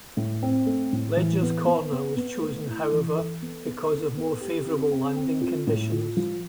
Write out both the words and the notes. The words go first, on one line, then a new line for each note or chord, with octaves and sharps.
Leger's Corner was chosen however because of more favourable landing conditions.
A2
C4
A3
A2
E3
B3
B3
B3
B3
A3
E4
E3
A4
B3
B3
A4
B3
G4
C4
C4
C4
F4
A2
F4
F3